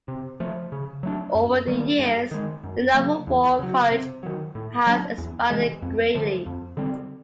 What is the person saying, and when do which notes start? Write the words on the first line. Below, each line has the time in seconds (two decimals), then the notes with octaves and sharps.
Over the years, the Naval War College has expanded greatly.
0.08 C3
0.40 F3 A3
0.72 C#3
1.03 F#3 A3 D4
1.35 F#2
1.67 D#3 G3 A#3
1.99 G2
2.31 D#3 G#3
2.64 F#2
2.94 C#3 F#3 A#3
3.27 E2
3.59 C#3 F#3
3.91 C3
4.23 D#3 F#3
4.55 A2
4.87 F#3 A#3 D4
5.18 E2
5.50 C3 E3 G#3
5.82 F2
6.14 D3 F3 A3
6.46 F2
6.77 D3 G3 C4